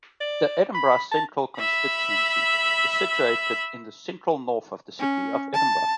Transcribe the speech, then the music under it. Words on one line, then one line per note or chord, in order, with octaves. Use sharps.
The Edinburgh Central constituency is situated in the central-north of the City of Edinburgh.
D5
B5
A5
E5 B5
C#4
A5